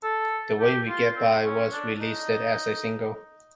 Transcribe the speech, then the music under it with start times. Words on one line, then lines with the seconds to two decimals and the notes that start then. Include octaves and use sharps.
"The Way We Get By" was released as a single.
0.03 A4
0.60 G4
0.89 F4
1.16 C4
1.45 C#4
1.72 D4
2.01 D#4